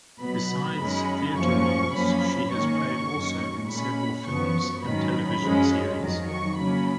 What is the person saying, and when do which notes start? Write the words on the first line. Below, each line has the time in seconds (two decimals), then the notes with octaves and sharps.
Besides theatre roles she has played also in several films and television series.
0.20 B2 F#3 B3 B5
0.77 F#2 D#3 G#3 C#4
1.35 F#2 F3 A#3 C#4 C#6
1.93 F#2 F3 A#3 C#4 B5
2.51 G#2 D#3 A#3 C#4 C#6
3.10 F#2 D#3 A#3 C#4
3.67 A#2 G#3 C#4 B5
4.25 F#2 F3 B3 C#6
4.83 G#2 D#3 F#3 C#4 B5
5.41 F#2 F3 G#3 C#4
5.99 F2 D#3 F#3
6.28 C#6
6.57 C#3 F#3 A#3 C#4 B5